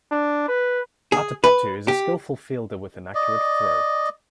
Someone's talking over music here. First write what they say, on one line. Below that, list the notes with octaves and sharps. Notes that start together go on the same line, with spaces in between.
Atapattu is a skilful fielder with an accurate throw.
D4
B4
G#4
B4
G4
D5 D#5